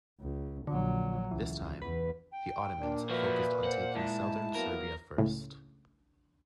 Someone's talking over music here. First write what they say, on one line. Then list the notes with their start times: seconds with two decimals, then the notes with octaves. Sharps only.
This time, the Ottomans focused on taking southern Serbia first.
0.20 C#2
0.67 A#1 D3 F#3
1.31 C#2 E3
1.82 E2 B4
2.31 G5
2.81 A#2 D4
3.10 F3 F#4 B4 E5
3.64 C5 F#5
3.95 G#2 E4 A5
4.55 F#3 A#3 B3 A#4
5.18 C#2 A2 C#3